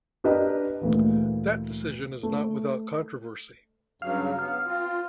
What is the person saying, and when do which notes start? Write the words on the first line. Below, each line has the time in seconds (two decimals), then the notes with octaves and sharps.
That decision is not without controversy.
0.24 D4 G4 A#4 B4 D#5
0.81 D2 A#2 E3
2.23 A3
4.02 G2 C#3 F#3 F5
4.39 B3 F6
4.66 C4 F4